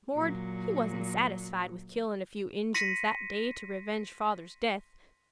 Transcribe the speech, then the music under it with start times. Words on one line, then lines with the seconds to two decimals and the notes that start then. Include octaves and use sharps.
'Mord' he wasn't satisfied with killin' a few Injuns that day to revenge Father's death.
0.14 A#2 F#3
2.74 C6 A#6 B6 C#7 D#7